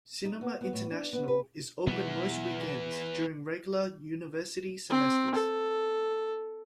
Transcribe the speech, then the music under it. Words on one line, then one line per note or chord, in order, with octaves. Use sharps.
Cinema International is open most weekends during regular university semesters.
D#4
B3
B3
A2
D4
B3
B4
B2 E3 F#3 G#3 B3
C4
A4